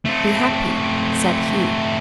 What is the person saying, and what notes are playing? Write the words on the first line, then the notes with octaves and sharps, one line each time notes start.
"Be happy!" said he.
A3 C4